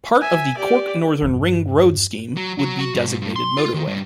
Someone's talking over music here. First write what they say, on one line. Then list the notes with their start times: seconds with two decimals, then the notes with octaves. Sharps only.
Part of the Cork Northern Ring Road scheme would be designated motorway.
0.21 E5 G#5
0.57 G4 D5
1.22 E2 G2
2.37 F#3
2.58 F#3
2.79 F#4
2.95 G2
3.07 G#2
3.22 G2
3.36 C6
3.58 F4
3.74 D#3
3.87 G2